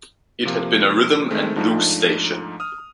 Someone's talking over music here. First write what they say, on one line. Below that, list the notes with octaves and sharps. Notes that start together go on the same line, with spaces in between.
It had been a rhythm and blues station.
C3 F3 A#3
D#3 G#3 A3 C4
G#2 F3 A3 D4 D#4
D#6 F6